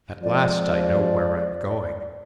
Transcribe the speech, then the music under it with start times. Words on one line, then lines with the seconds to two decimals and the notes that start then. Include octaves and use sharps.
At last I know where I'm going.
0.23 F2 F3 G#3 D5